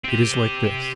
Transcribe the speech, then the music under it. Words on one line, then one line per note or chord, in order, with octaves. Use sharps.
It is like this.
C4 G4